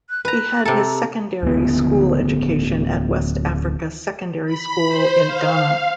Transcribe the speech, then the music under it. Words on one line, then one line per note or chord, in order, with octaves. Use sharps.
He had his secondary school education at West Africa Secondary School in Ghana.
F#6
B4 A#5 F#6
C3 A4 A#5
D1 D2 A#3 B3
B5
C5
F5
F5